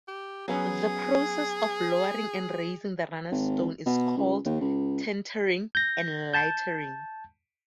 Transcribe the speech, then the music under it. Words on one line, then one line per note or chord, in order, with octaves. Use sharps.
The process of lowering and raising the runner stone is called tentering and lightering.
G4
F#3 B3 C#4 G#4
G#1
B2
C#2
D#2
C#2
G6 A#6
A5 G6